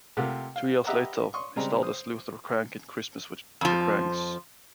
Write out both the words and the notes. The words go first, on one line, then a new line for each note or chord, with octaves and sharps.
Two years later, he starred as Luther Krank in "Christmas with the Kranks".
C3 A3 F4 G4 A#4 F#5
F5
G4 B4 D#5 E5 F#5 A#5
C6 C#6 D#6
C#3 G3 G#3 C4 A#5
C5 D#6
F2 F3